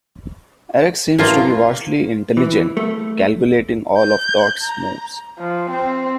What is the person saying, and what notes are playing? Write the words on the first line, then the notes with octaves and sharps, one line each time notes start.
Eric seems to be vastly intelligent, calculating all of Dodd's moves.
A1 E3 F#3 A#3 F4 A#5
E3
A3
G6
A#5
F3
C4